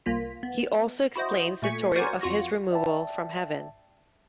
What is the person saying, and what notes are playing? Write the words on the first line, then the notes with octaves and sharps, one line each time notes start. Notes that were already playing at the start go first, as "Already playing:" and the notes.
He also explains the story of his removal from heaven.
C2 A#3 F4 B6
B3
E4 F#4 C5 D#5
A#2 A3 G#5 C#6 B6 C#7
F#4 A#4 C5 D5 G#5 C#6
F2 F4 F#4 C#6 A#6
D5 E5 G5 A5